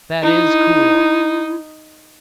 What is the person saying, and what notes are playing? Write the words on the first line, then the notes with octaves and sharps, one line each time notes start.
That is cool.
D#4 E4